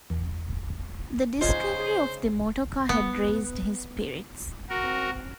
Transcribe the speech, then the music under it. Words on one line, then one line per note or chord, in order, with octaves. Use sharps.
The discovery of the motorcar had raised his spirits.
E2
C#3 G#3 D#4 F4 C5 C#5 D#5 G#5
B3
F#4 A#4